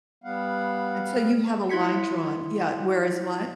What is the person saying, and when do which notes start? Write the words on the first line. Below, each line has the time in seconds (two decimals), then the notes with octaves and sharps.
and so you have a line drawn Yeah, whereas what?
0.24 G3 B3 F5 F#5
1.69 E4 C6 G#6 B6 C#7